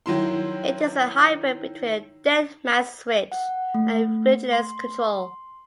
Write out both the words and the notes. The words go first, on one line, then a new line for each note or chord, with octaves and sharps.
It is a hybrid between a dead-man's switch and a vigilance control.
D#3 F#3 E4 C6
F#5
A3
C6